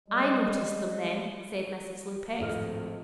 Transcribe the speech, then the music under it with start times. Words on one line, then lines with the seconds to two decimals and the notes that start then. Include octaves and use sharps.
"I noticed them, then," said Mrs. Lupex.
0.08 G3 G#3
2.39 D1 G#1 F3 A3 D#5 F6